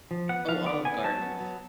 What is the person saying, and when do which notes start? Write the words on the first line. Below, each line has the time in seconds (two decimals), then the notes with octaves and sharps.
Oh, Olive Garden.
0.11 F3
0.29 B3 F#5
0.48 F3 F5
0.66 B3 D5
0.85 B3 G#5
1.03 F#3 A5
1.22 B3
1.40 F#3